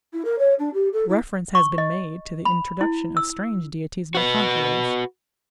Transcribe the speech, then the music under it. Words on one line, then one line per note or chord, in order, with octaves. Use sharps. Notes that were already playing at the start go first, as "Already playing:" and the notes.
Reference has been made to the introduction of strange deities by conquerors.
E4
A#4
C#5
D4
G4
A4
E4
C#6
D#5
B5
E4
E6
F#4 B4